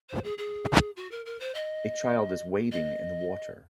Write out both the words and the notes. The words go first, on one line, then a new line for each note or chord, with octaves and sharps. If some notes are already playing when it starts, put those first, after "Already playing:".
A child is wading in the water.
C5
G#4
G#4
F#4
A#4
A#4
C5
D#5
D#5